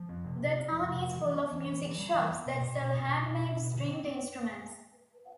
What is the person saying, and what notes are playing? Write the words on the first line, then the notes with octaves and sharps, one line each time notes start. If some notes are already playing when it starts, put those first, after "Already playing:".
The town is full of music shops that sell handmade stringed instruments.
Already playing: F3
C4
C3
C3
C4
F3
C3
F3
E3
B3
E3
E3
E3
G3
E3
B3
B2
B2
B2
B2
B2
B2
B2
B2
D3
C4
C4